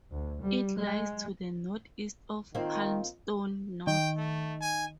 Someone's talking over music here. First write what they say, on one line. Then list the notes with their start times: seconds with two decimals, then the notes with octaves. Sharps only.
It lies to the northeast of Palmerston North.
0.12 D2
0.42 G3
0.78 G#3
2.55 D#3 A#3 C4 F4 D#5 F5
3.87 D#3 G5
4.18 A3
4.61 G#5